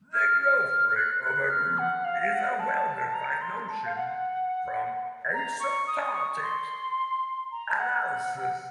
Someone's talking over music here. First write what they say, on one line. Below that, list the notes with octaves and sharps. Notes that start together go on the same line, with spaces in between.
The growth rate of a group is a well-defined notion from asymptotic analysis.
F6
F6
F6
F#6
F#6
F6
F#5
F5
F5
F#5
A5
A5
A#5
C6
A5
F5
F#5
A#5
C#6
D#6
C#6
C6
A#5
A5
F#5